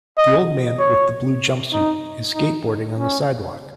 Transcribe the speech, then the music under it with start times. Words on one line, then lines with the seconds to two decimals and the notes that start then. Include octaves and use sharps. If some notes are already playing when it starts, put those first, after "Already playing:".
The old man with the blue jumpsuit is skateboarding on the sidewalk.
0.18 D#5
0.79 C#5
1.73 D#4
2.35 D#4
2.99 C#4